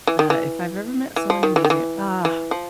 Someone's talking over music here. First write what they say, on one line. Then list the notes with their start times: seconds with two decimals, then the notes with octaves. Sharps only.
Uh, if I've ever met someone amazing ah,
0.07 E3
0.19 D#3
0.30 E3
1.16 E3
1.30 F3
1.43 D#3
1.56 E3
1.65 D#3
1.70 E3
2.25 E3
2.51 F3